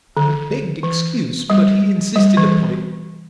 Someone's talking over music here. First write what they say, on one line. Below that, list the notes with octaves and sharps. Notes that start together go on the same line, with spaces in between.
I begged excuse; but he insisted upon it.
D3
E3
G3
G3
E3